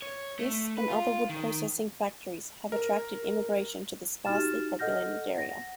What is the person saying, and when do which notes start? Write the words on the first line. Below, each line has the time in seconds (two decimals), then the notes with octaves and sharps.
This and other wood processing factories have attracted immigration to the sparsely-populated area.
0.02 C#5
0.39 A3
0.77 B4
0.89 F4
1.29 D#3
2.72 A#4
4.25 D#4 F#4 G4 F6 A6 E7
4.79 A4 D#5 F#5 F6 G6 A#6
5.34 F#5 A#6